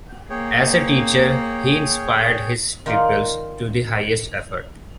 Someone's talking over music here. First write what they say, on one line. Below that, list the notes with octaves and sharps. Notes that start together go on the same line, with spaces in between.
As a teacher he inspired his pupils to the highest effort.
A#3 G#4 C#5 G5
D#3 F4 A#4 D5 D#5